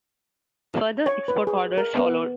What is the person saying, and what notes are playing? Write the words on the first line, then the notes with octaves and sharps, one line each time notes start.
Further export orders followed.
C#5
B4
G#4
A#4
B3